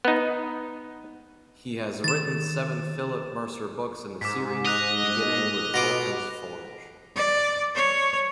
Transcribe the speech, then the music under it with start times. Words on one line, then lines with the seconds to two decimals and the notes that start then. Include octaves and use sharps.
He has written seven Phillip Mercer books in the series, beginning with "Vulcan's Forge".
0.05 B3 D#4
2.04 D#3 A6 E7
4.21 G#2 D6 B6
4.66 D#5 F#6 F7
5.74 B2 F4 D6 A#6
7.16 D5
7.75 C#5